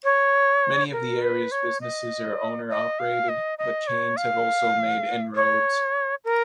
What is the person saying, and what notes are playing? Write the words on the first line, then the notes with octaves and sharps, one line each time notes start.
Many of the area's businesses are owner-operated but, chains have also made inroads.
C#5
A#4
B4
C#5
D#5
D#5
F5
D#5
D#5
C#5
F5
C#5
A#4